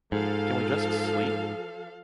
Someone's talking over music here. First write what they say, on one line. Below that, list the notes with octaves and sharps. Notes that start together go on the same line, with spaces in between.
Can we just sleep?
G#2 F3 A4 F5